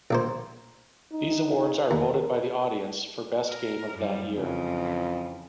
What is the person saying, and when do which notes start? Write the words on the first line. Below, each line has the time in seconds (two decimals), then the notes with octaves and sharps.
These awards are voted by the audience for best game of that year.
0.11 A#1 A#3 C5
1.12 D#4
1.91 D#2 A#4
3.50 A#4
3.95 F#2 G3
4.34 F2 C#3 E3